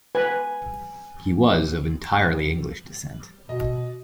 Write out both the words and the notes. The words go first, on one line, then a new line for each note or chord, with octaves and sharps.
He was of entirely English descent.
B4 G#5
B2 D#5